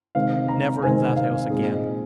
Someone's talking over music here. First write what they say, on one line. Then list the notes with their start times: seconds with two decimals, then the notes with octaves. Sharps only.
Never in that house again!
0.15 C3 D#3 G#3 C4 D#4 F5
0.48 A#5
0.82 C3 D#3 G#3 C4 D#4 G#5
1.16 F5
1.50 A#2 G#3 C4 D#4 G#4
1.72 D#5